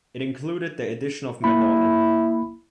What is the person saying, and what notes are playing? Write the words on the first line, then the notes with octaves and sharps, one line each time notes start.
It included the addition of a mandolin.
A#3 E4 B5